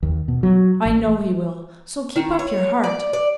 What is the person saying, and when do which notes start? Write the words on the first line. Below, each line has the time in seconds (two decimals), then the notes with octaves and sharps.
I know he will; so keep up your heart.
0.03 D#2
0.28 B2
0.43 F#3
0.86 A1
2.16 D#3
2.39 C#5
2.84 D5
3.13 D5